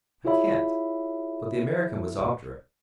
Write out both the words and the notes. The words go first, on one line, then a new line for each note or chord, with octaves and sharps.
I can't!' But the American was obdurate.
E4 F4 G#4 C#5 E5 B5